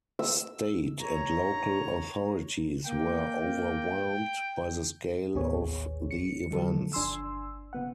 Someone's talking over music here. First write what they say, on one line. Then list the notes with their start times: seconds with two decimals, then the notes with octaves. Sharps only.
State and local authorities were overwhelmed by the scale of the events.
0.19 E6
1.00 C#5 A#5
2.86 A#3 G5
5.34 A1 D#2 B3 G#4 C#5
6.11 C#7
6.50 D3 F3 F#3 A4
6.93 G1 D4 G#5 C6 E6
7.73 C#3 B3 F#5